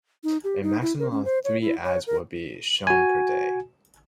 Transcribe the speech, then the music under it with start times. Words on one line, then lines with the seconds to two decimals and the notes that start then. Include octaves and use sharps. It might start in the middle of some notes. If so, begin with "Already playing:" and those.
A maximum of three ads would be shown per day.
0.24 D#4
0.44 G4
0.63 D#4
0.82 E4
0.99 A#4
1.11 C#4
1.25 C5
1.44 C#5
1.61 E4
1.84 C#5
2.07 A#4
2.87 F#4 G#5